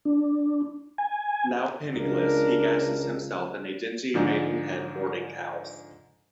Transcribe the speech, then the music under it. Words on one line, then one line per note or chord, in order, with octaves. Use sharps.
Now penniless, he gasses himself in a dingy Maidenhead boarding house.
D4
G#5
C#2 D4 A#4
G#2 D3 F3